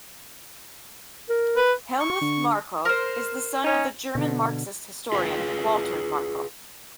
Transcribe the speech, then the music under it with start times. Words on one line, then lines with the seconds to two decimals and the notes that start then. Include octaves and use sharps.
Helmuth Markov is the son of the German marxist historian Walter Markov.
1.29 A#4
1.57 B4
2.00 C#6
2.21 D3
2.85 A#4 C5
3.64 C#4 D#4
4.15 B2 D3
5.12 F4 G#4 B4 F5 G#5